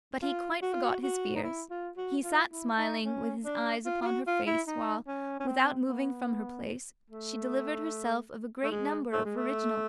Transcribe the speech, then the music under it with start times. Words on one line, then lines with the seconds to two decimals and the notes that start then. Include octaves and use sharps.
But he quite forgot his fears; he sat smiling, with his eyes upon her face, while, without moving from her place, she delivered herself of a great number of original reflections.
0.22 F4
0.62 F#4
0.73 F4
0.83 F#4
1.03 F#4
1.36 D#4
1.44 E4
1.70 F4
1.97 F#4
2.24 F4
2.52 E4
2.78 D#4
3.05 C#4
3.45 D4
3.86 F4
4.02 F4
4.06 F#4
4.27 F4
4.47 E4
4.67 D#4
5.07 C#4
5.40 C#4
5.48 C4
5.88 B3
7.10 A3
8.64 A3
8.71 G#3
9.13 A3
9.25 G#3
9.37 A3